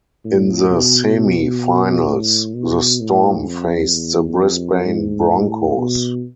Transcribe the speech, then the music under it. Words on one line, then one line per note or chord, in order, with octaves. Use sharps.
In the Semi-Finals, the Storm faced the Brisbane Broncos.
A2
B2
A2
B2
A2
F2
E2
F2
G#2
A2
B2